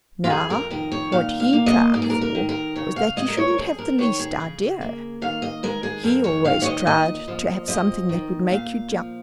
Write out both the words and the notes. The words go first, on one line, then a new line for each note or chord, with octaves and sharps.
Now, what he tried for was that you shouldn't have the least idea; he always tried to have something that would make you jump.
F4
F2 G#4
A#4
D#3 A#4
C#5
A#2 F5
F5
A#3
D#5
G#2 A#4
G#4
A#4
A#4
D#3
A#4
C#3 C#5
F5
G#3 D#5
A#4
C#5
A#4
F2 G#4
A#4
D#3 C#5
G#4
C#3
A#3
D#3 F5
D#5
G#3 A#4
G#4
F2 A#4
C#5
D#3 F5
C#5
D#5
A#2 D#5
F3
F2 D#5
D#3
A#2 F5
F3